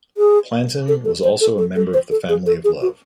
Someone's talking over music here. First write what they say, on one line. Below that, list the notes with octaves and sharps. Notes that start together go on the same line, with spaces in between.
Plantin was also a member of the Family of Love.
G#4
A4
A4
C5
A4
A4
A4
C5
A4
G#4
A4
G#4
F#4